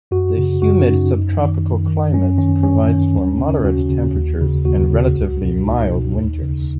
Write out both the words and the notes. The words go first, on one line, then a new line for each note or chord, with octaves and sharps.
The humid subtropical climate provides for moderate temperatures and relatively mild winters.
F#2 F#4
C#3
F#2 F#4
C#4
C#3 D#4
F#2
D#3
F#2
D#3
F#2 C#4
D#3 C#4
F#2 C#4
D#3
D#2
C#3
D#2 F#4
C#3
D#2
C#3
D#2 F#4
C#3
C#2
B2
C#2 D#4
B2
D#2
C#3